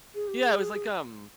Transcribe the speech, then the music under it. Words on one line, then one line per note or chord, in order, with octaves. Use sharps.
Yeah, it was like, um,
G#4
G4
G#4